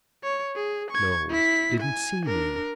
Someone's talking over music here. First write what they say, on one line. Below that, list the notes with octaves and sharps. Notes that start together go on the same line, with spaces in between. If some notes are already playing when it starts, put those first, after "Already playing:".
No. Didn't see me.
C#5
G#4
C#6 G#6
E4 B6
G#5
D4 A#4